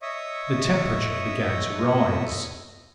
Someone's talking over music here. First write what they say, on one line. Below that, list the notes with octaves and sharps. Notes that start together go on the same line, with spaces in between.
The temperature began to rise.
C#5 D#5 E5 C#6 D#6